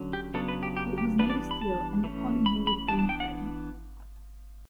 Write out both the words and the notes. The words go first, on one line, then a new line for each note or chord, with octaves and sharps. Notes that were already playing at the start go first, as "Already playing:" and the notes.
It was made of steel and polyurethane foam.
Already playing: D3 F#3 C#4
G4
C#3 F#3 B3 D4 A4
B4
G4
G4
G4
E3 G3 B3 D4 B4
D5
B5
A5
E3 A3 C#4
B5
B5
E3 B3 D4 A5
A5
G5
F#5